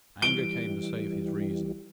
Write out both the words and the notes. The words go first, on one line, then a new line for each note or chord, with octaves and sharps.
Anger came to save his reason.
E3 G3 D7 G7